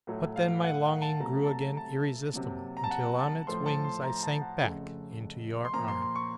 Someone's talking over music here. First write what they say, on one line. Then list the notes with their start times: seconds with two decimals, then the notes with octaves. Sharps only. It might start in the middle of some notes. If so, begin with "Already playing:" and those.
But then my longing grew again irresistible, until on its wings I sank back into your arms.
0.07 A2 F#3 A3
0.36 F5
0.64 F#5
0.83 F#5
1.02 A5
1.20 C3 F#3 A3 A#5
1.44 A5
1.49 A#5
1.77 A5
2.33 C3 F#3 A#3
2.77 A#5
2.84 A5
2.91 F#5
3.19 A5
3.47 A2 F3 A3 C6
3.66 A5
3.84 C6
4.03 A#5
4.23 A5
4.41 F#5
4.61 F2 C#3 A3
5.65 C6
5.73 A#2 F3 A#3 A#5
5.88 C6
6.02 C6
6.16 C#6